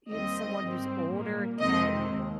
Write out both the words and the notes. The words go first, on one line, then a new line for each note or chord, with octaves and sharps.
you someone who's older can,
D#2 D#3 G3 C4 D#5
G#2 G3 C4
A#2 G3 A#3
F2 C3 D#3 G#3 C4 D#5
D#2